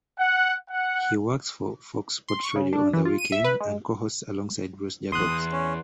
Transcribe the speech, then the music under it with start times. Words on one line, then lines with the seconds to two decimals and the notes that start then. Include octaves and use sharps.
He works for Fox Sports Radio on the weekend and co-hosts alongside Bruce Jacobs.
0.19 F#5
0.70 F#5
2.28 C6
2.43 C#6
2.56 C#3
2.73 D4
2.93 E3
3.05 F4
3.18 D#7
3.32 E5
3.44 B4
3.61 G#3
5.12 A1 E2 C6 D#6 F#6
5.26 E2
5.52 C#4